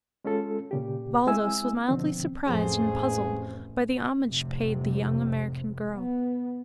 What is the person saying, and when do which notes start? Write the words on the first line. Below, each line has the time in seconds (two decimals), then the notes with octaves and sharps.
Baldos was mildly surprised and puzzled by the homage paid the young American girl.
0.24 G#3 C#4 F4 A4
0.71 A#2 C#3 G4
1.27 G#3 C4 E4 G#5 E6
1.89 B2 D3 F3 C4
2.48 A1 F2 G#4 C5
4.25 F1 A2 C3
5.95 B3